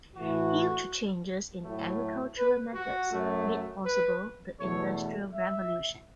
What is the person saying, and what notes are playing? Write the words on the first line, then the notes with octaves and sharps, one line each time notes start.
Huge changes in agricultural methods made possible the Industrial Revolution.
A2 E3 A3 F#4
A2 F#3 A3
B4
F#4
F#2 F#3 A3
B4
E2 B2 A3 C#5
E5